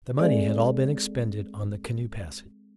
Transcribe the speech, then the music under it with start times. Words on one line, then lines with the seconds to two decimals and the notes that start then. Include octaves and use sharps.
The money had all been expended on the canoe passage.
0.19 G#3 C4 G#4 A4 D5 E5